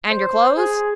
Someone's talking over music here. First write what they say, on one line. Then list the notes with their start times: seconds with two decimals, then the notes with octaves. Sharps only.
"And your clothes?"
0.10 C5
0.57 G#4